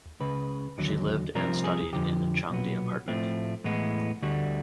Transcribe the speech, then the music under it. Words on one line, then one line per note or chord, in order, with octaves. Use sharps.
She lived and studied in Changde Apartment.
C#2 C#3 B4
D#2 D3 F#3
C2 C3 F3 C4 A#4
G#4
F2 D3 F3 G4
B1 A#2 F#3 B3
A2 F3 A3 C4
A2 E3 G#3 B3
D2 D3 G3 F#4